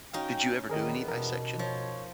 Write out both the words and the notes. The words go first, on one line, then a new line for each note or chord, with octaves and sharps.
Did you ever do any dissection?
C#4 D#4 F#4 F5 G5
E2 D#3 G3 B3 G#4 A#4 D#5
B2 A#4
F3 C#5